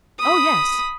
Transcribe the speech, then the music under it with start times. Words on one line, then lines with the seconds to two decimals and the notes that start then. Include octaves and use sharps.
Oh, yes.
0.19 B5 D#6